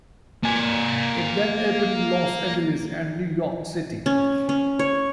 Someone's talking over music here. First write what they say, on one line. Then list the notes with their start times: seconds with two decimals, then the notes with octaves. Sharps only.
It then opened in Los Angeles and New York City.
0.43 A#3 G#5
4.06 C#4
4.49 C#4
4.79 C#5